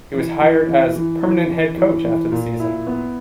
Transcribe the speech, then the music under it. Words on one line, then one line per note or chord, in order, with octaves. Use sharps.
He was hired as permanent head coach after the season.
E3
E3
E3
E3
E3
E3
E3
E3
A#2
E4
B3